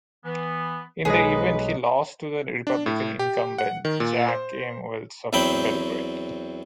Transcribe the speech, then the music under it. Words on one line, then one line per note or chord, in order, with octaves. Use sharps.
In the event he lost to the Republican incumbent, Jack M. Wells of Belgrade.
E3 B3
B1 G#3 G#4 B4 D#5
D4
A2
G4
F#5
D#3
A#2
C5
E2 F#3 C4 G5 B5